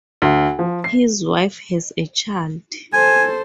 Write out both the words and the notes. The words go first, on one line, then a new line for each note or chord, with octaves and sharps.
His wife has a child.
D2
F3
C7
A4 C5 G#5